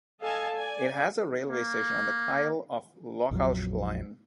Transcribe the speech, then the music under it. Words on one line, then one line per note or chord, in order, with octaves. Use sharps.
It has a railway station on the Kyle of Lochalsh Line.
A4 D#5 F5 G#5 A5
D5 G#5
A#3
A#1 F2 F3 F#3